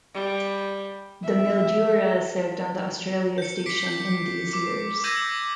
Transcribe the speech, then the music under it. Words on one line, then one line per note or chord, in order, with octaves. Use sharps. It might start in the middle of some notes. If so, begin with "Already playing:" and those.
The "Mildura" served on the Australia Station in these years.
G3
E5
G6 C#7
D6 B6 C7 D7
G6
D6 C7
D6 E6 G6 G#6 A#6 D#7